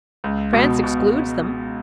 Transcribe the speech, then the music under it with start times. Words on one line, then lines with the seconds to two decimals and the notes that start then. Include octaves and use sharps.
France excludes them.
0.24 C#2
0.53 B2
0.84 B2